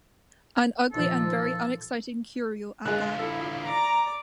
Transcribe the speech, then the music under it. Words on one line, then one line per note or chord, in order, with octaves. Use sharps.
An ugly and very unexciting curio at that!
A#2 D#3 F3 A4
D3 G#3 F4 F#6
E4 A4
D5 A#5 D6